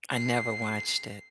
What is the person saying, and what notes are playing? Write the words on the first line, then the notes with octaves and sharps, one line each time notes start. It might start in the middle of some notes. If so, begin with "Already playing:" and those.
I never watched it.
C7